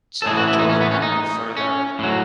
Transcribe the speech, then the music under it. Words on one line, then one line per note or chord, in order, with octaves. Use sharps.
So, I drove around a little further,
A4
A2 E3 G#4
F#4
E4
D#4
C#4
B3
C#4
D#4
C#4
A2 F#3